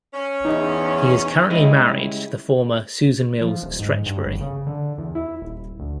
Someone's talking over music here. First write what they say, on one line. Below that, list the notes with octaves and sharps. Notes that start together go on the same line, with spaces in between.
He is currently married to the former Susan Mills Stretchberry.
C#4
E2 D#4
C#3 G3 G#3 D#4 E4
F3
D#1
G#2
G2
G1
C#3
D3
E2
E4
D#1
D2